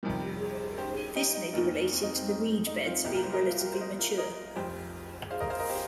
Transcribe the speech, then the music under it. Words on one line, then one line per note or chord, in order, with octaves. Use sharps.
This may be related to the reed beds being relatively mature.
F2 C3 D#3 G3
G4 C5
D#4 G4
D#4
F1 D#2 D#3 A#3 D#4
C4
D#4
C4
D#4
D#4
C4 F4
C2 C3 G3 A#3 D#4 G4
F4 A#4
G4 C5
A#4 D#5
F4
G4
A#4
C5
A#4 D#5
F4 A#4
A#4 D#5
F1 F2 F3 G4 C5
C5 F5
A#4 D#5
C5 F5
A#4 D#5
G4 C5